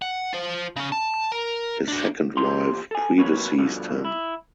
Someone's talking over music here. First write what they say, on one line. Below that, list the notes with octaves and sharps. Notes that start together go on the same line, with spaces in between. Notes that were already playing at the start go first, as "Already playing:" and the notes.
His second wife predeceased him.
F#5
F4 C5
C#3 C#4
A5
A#4
D4 F#4
E2 A#2 G4 C5 A#5 C6
A4 G#5
F2 B2 F#3 A#3 B4 C#5
G2 B2 D3 F3
E4